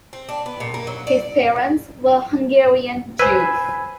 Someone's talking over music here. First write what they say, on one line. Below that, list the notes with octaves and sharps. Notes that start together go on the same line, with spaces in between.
His parents were Hungarian Jews.
C4
D4
B3
A#2
A#3
F#3
D5
B4 C5 G#5 B5 E6 G#6